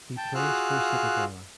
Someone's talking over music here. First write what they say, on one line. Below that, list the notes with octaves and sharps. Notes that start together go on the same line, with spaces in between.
He plays for Cittadella.
G5 A5
F4 F#4 G#4 F5 E6 F#6